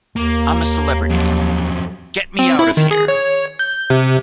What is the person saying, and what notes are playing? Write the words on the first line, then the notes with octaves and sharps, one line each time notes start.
I'm a Celebrity...Get Me Out of Here!
D#2 A#3
F2 F#3
C4
E4
D#3
G#4
C#5
G6
C3